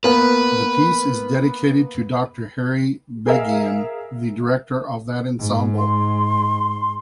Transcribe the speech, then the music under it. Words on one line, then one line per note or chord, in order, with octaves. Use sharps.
The piece is dedicated to Doctor Harry Begian, the director of that ensemble.
A#3 B3 B4
G#4 A#4 E5 F5
G#2
C6